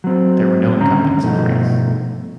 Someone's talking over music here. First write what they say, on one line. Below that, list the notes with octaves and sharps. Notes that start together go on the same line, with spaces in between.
There were no incumbents in the race.
F#3 C4
D#2 D3 G3 C#4 A#5
G2 B2 F3 A3 D#4